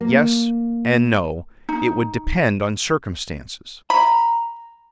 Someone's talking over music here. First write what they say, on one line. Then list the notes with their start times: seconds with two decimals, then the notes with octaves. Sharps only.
"Yes and no--it would depend on circumstances."
0.01 A#3
1.69 D#4
3.90 A#5 B5